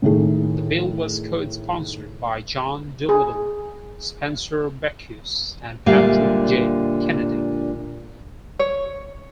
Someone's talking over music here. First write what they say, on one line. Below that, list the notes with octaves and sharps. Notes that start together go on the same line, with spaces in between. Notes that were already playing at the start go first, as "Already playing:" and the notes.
The bill was co-sponsored by John Doolittle, Spencer Bachus and Patrick J. Kennedy.
A2 D#3 A3 G#4
G#4
A#2 D3 G3 G#3 E5 F5
C#5